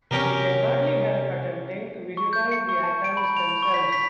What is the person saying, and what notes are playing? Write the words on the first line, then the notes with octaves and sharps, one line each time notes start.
We can hardly help attempting to visualize the atoms themselves.
C3 C#4 G4 A#4
C#6
G6
C#7
C#6
A5
D7
B5
F7
F7
C#6
B6
B6